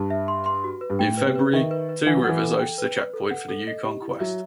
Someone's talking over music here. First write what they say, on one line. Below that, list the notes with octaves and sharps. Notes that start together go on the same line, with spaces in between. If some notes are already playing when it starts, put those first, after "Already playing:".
In February, Two Rivers hosts a checkpoint for the Yukon Quest.
Already playing: G2 A5
E5
C6
C6
F#4
B4
G2
A2 G5
B4
C3
B4
D#3 E5
B4
B4
E3 F#5
F#3
E3 F#5
A4
G5
B4
B4
A4
F#5
A4
D#5
G4
E4
F#3 E5